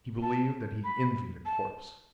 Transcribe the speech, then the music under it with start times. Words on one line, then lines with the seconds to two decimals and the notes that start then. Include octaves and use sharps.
He believed that he envied a corpse.
0.22 A5
0.84 B5
1.46 A5